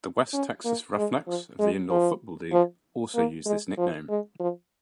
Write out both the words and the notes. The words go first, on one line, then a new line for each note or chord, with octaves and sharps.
The West Texas Roughnecks of the Indoor Football League also use this nickname.
C#4
A#3
G#3
F3
G#3
F3
F3
A#3
G#3
F3
G#3
F3